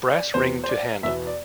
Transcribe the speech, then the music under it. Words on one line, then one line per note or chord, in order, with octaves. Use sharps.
Brass ring to handle.
D5
E2 B2 B3 C5
C5
D5
E2 B2 B3 E5
D5